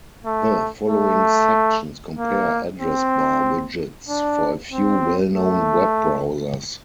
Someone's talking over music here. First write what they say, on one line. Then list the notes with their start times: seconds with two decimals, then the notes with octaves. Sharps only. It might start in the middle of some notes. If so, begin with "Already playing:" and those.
The following sections compare address bar widgets for a few well-known web browsers.
0.25 A3
0.89 A3
2.16 A#3
2.80 C4
4.08 D4
4.72 C4
5.36 A3